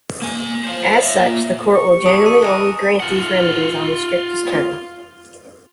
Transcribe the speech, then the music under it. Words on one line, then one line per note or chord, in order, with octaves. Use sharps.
As such, the court will generally only grant these remedies on the strictest terms.
A#3 G#5
C5 F5
C#5 E5
A#3 F4
C#6
G4
E3 D4 D#6
D#7
G#3 A#4 A5
F4 F#5